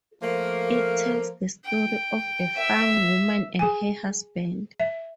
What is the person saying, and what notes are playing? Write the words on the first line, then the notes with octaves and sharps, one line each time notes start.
It tells the story of a Fang woman and her husband.
F3 A3 A#3
G5
E5
G#4 G#5
E5